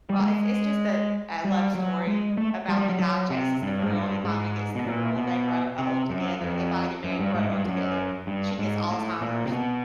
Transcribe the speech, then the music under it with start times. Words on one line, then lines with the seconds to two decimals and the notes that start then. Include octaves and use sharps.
Well, it's it's just a a love story about the guy chases the girl, he finally gets the girl, they grow old together, they finally get married, grow old together. She gets Alzheimer's,
0.10 G3
0.20 G#3
1.45 G3
1.75 F#3
2.07 G#3
2.37 A3
2.68 G3
2.78 G3
2.89 F#3
3.00 F#3
3.30 C3
3.62 G2
3.83 G#2
3.93 G2
4.24 G#2
4.75 B2
4.86 A#2
5.16 B2
5.78 C3
6.10 F#2
6.41 F2
7.04 F#2
7.19 G2
7.34 G#2
7.50 G2
7.66 F#2
8.27 G2
8.58 G#2
8.90 A2
9.21 A#2
9.46 C3
9.52 B2